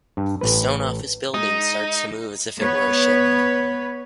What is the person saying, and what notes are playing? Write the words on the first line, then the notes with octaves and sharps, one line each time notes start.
The stone office building starts to move as if it were a ship.
G2
A1 B4
G#3 D#4
B3 B4 C#5